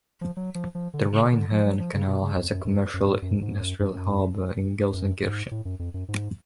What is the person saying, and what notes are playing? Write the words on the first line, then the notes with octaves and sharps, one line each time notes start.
The Rhine-Herne Canal has a commercial-industrial harbour in Gelsenkirchen.
F3
F#3
F3
F3
D3
C#3
D3
F3
F#3
F3
C#3
B2
C#3
F2
F#2
F#2
F#2
G#2
F#2
G#2
F#2
F#2
F#2
G#2
A2
F#2
F2
F#2
G#2